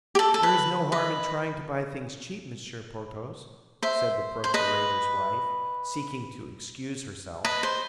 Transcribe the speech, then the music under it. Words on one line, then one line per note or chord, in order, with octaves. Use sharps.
"There is no harm in trying to buy things cheap, Monsieur Porthos," said the procurator's wife, seeking to excuse herself.
G4
A4
A4
B4
B4 D#5
C5 E5
C5
B4 D#5
B4 D#5
C5